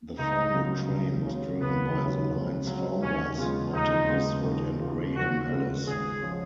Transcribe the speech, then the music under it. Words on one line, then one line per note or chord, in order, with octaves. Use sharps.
The final train was driven by the line's founders, Martin Eastwood and Graham Ellis.
C#2 D#4
C#3 F#3 C#4
C#2
C#3 F#3 C#4
C#2 B3
C#3 F#3 C#4
C#2
C#3 F#3 C#4
D#2 C#4
C#3 G#3 B3 F4
D#2 D#4
C#3 G#3 B3 F4
D#2
C#3 G#3 B3 F4
D#2 F#4
C#3 G#3 B3 F4
G#1 G#4
F3 G#3 C#4